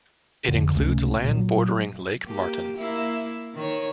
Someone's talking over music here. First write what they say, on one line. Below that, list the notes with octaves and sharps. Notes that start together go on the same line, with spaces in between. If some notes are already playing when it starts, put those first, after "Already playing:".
It includes land bordering Lake Martin.
F2 G#2 D3
C#2 C3 A3 C#4
A#2 F#3
A#3 G4
A#3 E4
D#3 C#5